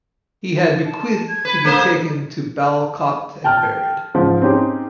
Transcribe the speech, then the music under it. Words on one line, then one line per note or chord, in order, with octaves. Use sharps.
He had bequeathed to be taken to Balakot and buried.
A5
G#6
B4
G#3 A#3 C5
G5 A5 F6
G#2 C#3 F3
C4 C#4 D#4 G4 G#4